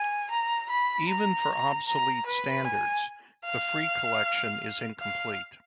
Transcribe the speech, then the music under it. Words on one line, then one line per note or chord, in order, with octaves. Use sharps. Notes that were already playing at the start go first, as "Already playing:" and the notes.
Even for obsolete standards, the free collection is incomplete.
Already playing: G#5
A#5
B5
A#5
A#5
B4
G#5
F5
F5